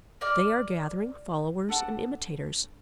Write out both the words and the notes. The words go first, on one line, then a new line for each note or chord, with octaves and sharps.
They are gathering followers and imitators.
A#4 D5 D6 F6
D4 A4 F#5 A5